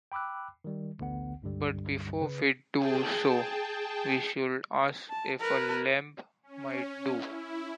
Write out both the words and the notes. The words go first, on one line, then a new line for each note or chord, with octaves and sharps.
But before we do so we should ask if a lamb might do.
G5 B5 D6 E6 F#6
D#3 G3
A1 D2 D3 B3 F#5
C#2 G2 D3 G3
C#3 B4
G#4 G5 A5
A5
A#4 B4
C#4
E4